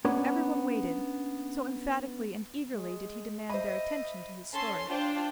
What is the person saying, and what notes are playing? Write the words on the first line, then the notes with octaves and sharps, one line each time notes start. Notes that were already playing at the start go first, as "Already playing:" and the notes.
Everyone waited, so emphatically and eagerly did he demand their attention to his story.
A#3 B3 C#4 D4
G#3
C5 D#5 E5 B5
C#4 A4 C6
D4 F4 C5 G5